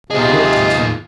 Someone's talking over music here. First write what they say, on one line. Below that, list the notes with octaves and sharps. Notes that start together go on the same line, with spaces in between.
I looked at him.
D#2 C3 F4 G#4 D#5